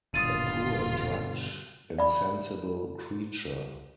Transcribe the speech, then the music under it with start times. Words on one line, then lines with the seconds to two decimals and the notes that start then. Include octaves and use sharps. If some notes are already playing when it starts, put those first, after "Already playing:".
A poor, drugged insensible creature.
0.14 D#1 G2 B2 D3 F4 D#6 A6 D#7
1.98 D5 B5